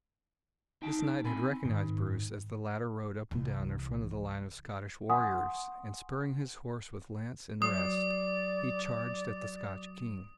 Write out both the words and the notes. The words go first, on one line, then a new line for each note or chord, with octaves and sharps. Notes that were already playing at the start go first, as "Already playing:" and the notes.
This knight had recognized Bruce as the latter rode up and down in front of the line of Scottish warriors and spurring his horse with lance in rest he charged at the Scotch King.
D#4 G5 A5
C4 G#5 B5
G#2 D#3
C2 E3
F#5 G#5 C6 C#6 D#6
F#3 D5 D#6